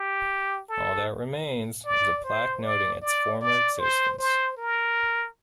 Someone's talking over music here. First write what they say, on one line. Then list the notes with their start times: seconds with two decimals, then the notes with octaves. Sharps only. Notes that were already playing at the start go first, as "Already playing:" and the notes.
All that remains is a plaque noting its former existence.
Already playing: G4
0.69 A4
1.86 D5
2.24 C5
2.63 D5
3.02 D5
3.41 D5
3.79 C5
4.18 C5
4.57 A#4